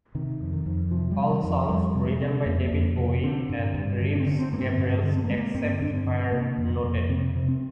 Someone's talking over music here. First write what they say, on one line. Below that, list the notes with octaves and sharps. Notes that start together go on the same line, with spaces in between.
All songs written by David Bowie and Reeves Gabrels except where noted.
C3 D#3
F2
D#3
F2
C3 F3
G3
C3
D#3
F2
F3
F2 G3
C3
G#3
C3
F2 A#3
F2
C3
D3 C4
G2
G2
D3
D4
C4
D3
C4
G2 A#3
C4
G2 C4
D3
C4
A#3
D3 G#3
A#3
G2 C4
G2 D4
C4
D3
C3 A#3
F2
A#3
F2
C3 C4
C3
C4